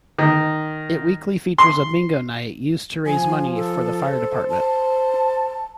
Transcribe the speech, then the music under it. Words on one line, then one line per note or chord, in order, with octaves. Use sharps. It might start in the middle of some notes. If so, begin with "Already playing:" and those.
It weekly features a Bingo night used to raise money for the fire department.
D#3
C6
F3 G#5
A4
C5
A5